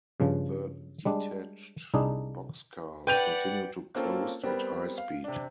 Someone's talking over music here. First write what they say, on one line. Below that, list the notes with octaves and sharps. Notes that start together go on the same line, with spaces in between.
The detached boxcars continue to coast at high speed.
G2 C#3 F3
G3 G#3 D4
C2 D4 D#4 G#4
B4 D5 F#5 G5 G6 F7
A#3 C4 C#4 F4 A4 A#4
G3 B3 C4 A#4
F5
C3 D4